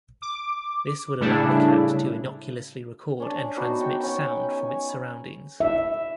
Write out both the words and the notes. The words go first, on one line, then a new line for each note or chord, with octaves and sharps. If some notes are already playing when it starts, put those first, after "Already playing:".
This would allow the cat to innocuously record and transmit sound from its surroundings.
D6
A2 C#3 G3 A3 D4 E4
C#4 D4
B3 D4 D#4 F#4
C#5 G5
C#4 G5
G#5
E5